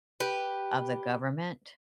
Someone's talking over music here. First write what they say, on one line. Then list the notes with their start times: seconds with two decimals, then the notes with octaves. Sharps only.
of the government
0.20 G4 B4